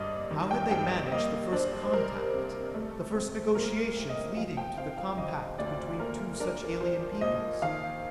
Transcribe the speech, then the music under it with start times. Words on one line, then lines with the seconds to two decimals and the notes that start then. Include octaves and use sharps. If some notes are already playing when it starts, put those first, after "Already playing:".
How had they managed the first contact, the first negotiations leading to the compact between two such alien peoples?
Already playing: G2 A#3 D5 D#5
0.31 D#3
0.51 G5
0.71 G2 G5
1.12 A#3 D#5
1.52 D4 C5
1.82 C5
1.93 G3 A#4
2.34 C3
2.74 A3
3.15 C4
3.55 A#2 A#4
3.96 C2
4.09 D#5
4.37 F3 F5
4.57 G5
4.78 C4 F5
4.97 F5
5.18 D3 D#5
5.58 D2 D5
5.99 A#3 A#4
6.40 D4 A#4
6.81 F3 C5
7.21 A#2 D#5
7.62 D#3 F5